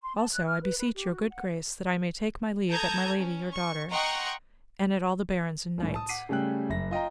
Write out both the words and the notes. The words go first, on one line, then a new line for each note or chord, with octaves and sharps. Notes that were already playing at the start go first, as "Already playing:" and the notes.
Also I beseech your good grace that I may take my leave at my lady, your daughter, and at all the barons and knights.
C6
A5
F#6
F6
B4
B4
G4
F#4
F#5
A4 A5 A#5 D#6 G6 G#6
C#4
C#6
D#5 F#5 G5 A#5 C6 C#6
C2 A2
A5 D#6
F#5 D6 B6 C7 D#7
C#3 G3 A3 C#4 G5 F#6
F#1 E5 A#6
F4 D#5 G5 A#5